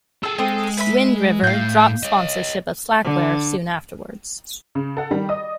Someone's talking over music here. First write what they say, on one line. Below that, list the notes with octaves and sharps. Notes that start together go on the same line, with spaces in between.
Wind River dropped sponsorship of Slackware soon afterwards.
G#4 A4 A5 E6
G#3 C4 A4 D#6
B4 E5 B5
A2 F5 G6
C#5 D#5
D3
C#3
A4 F#5
D#3 G3
D5 D#5 D#6